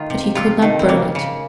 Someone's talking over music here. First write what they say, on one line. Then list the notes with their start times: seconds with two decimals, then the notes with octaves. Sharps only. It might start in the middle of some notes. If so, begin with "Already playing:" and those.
But he could not burn it.
Already playing: D#3 A3 F4
0.10 C3
0.35 C3 F4
0.62 D#3
0.79 C4
0.88 C#3 A#3
1.15 C#3